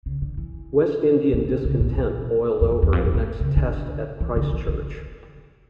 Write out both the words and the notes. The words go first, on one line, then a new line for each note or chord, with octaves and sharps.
West Indian discontent boiled over the next Test at Christchurch.
C#3
D3
E3
D3
D3
C#3
A#2
E3
F2
F2
E2
F2
A2
A2
C#3
D3
E3
D3
E3
D3